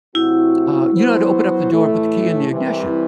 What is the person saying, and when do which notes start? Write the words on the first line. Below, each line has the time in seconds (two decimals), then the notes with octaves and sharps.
uh, you know how to open up the door and put the key in the ignition,
0.15 C3 F#3 A3 C4 E4 F#4
0.93 F#3 B3 F#4 C5
1.71 A2 E3 A3
2.48 C2 C3 E3